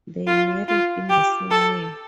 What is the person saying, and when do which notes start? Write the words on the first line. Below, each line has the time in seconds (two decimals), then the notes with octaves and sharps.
They married in the same year.
0.27 F4
0.68 F4
1.10 G4
1.51 A4